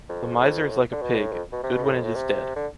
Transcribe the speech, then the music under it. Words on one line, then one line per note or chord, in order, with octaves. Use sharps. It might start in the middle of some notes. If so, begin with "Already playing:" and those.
The miser is like a pig, good when it is dead.
F2
F2
A2
D3
B2
A2
F2
B2
C3
B2
A2
F2
A2
C3
D3